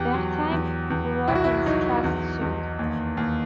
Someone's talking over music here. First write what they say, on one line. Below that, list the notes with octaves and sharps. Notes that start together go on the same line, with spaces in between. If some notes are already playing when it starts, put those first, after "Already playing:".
Wertheim grew up in Stralsund.
Already playing: E2 G4
F#3
E2
E2
C2 E4
F#4
E4
F#3 D#4
E2
E2
D#2
D#2